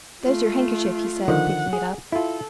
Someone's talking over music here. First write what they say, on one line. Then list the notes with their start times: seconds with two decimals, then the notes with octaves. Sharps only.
"There's your handkerchief," he said, picking it up.
0.22 A3 F4
1.28 D3 D#3 F3 F#5
1.73 G#4
2.12 E4 F4 A4